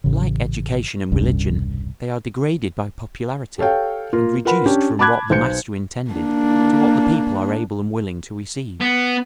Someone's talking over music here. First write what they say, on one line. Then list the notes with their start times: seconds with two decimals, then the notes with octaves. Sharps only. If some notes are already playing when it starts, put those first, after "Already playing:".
Like education and religion they are degraded by popularity, and reduced from what the master intended to what the people are able and willing to receive.
0.04 A1 C#3
1.12 E1 C2 G2 C#4
3.58 G4 A4 C#5 F5 G5
4.13 A#3 F4 A#4
4.45 F4 A#4 B4 F#5 B5
4.66 C#4 D4 G4 G5
4.99 A5 B5 D6 F#6 G#6
5.30 B1 C5 G6 C#7
6.11 A#3 D4
8.80 B3